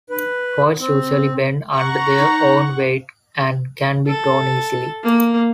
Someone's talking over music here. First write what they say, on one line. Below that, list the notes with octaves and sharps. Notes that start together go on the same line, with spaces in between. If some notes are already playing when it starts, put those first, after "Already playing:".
Foils usually bend under their own weight and can be torn easily.
B4
C4
F#5 A#5 C#6
D#4
A4
A#3